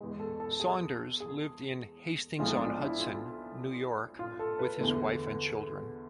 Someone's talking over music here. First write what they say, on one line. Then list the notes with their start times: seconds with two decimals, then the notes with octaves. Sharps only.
Saunders lived in Hastings-on-Hudson, New York, with his wife and children.
0.01 E2 B2 G#3
0.20 A4
0.40 A4
0.60 G#4
1.20 G#4
2.39 B1 A2 F3 G#3 F4
2.55 D4
2.70 D4
2.84 E4
3.00 F4
4.19 F4
4.39 A4
4.59 B4
4.79 E2 D3 A3